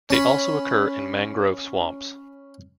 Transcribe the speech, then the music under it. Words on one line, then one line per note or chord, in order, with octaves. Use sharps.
They also occur in mangrove swamps.
C#4 B5